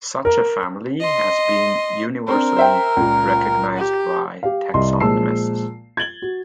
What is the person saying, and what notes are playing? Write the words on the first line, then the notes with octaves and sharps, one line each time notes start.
Such a family has been universally recognized by taxonomists.
A#4
D#5 C6
C4 D4 A#4
C5 E5 G5
C#2 A#2
G4
G4 F5
C2 D#5 C6
A#2 F3 G#3 A5 E6 C7
G#6 A6 F#7 G7
F#4